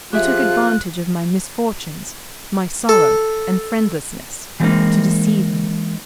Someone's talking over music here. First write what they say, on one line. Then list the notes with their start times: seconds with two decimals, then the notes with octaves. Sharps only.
You took advantage of my misfortunes, my sorrow and friendlessness, to deceive me.
0.13 F2 F3 F4 G4 G#4 E5 F#6
2.89 A4
4.60 E3 G3 G#3 A#3 C4 D#4